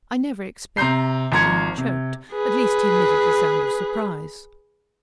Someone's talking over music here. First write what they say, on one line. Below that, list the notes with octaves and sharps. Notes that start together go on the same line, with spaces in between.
"I never expec--" Then he choked; at least, he emitted a sound of surprise.
C3 A#5 C6 G6 C7
G#1 F3 A#5 C6 G#6 C#7
C3
G#4 B4